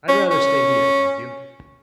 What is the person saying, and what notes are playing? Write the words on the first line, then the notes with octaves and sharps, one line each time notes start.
I'd rather stay here, thank you.
C#4
C#4